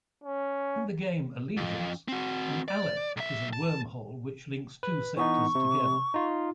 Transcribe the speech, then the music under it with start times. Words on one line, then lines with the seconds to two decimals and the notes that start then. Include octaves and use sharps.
In the game "Allegiance" an Aleph is a wormhole which links two sectors together.
0.24 C#4
1.57 F2
2.08 C4 F#4
2.68 D5
3.17 B1 E5
3.53 A5
4.83 B4
5.17 E3 B3 D#4 C#6
5.55 C3
6.14 D#4 F4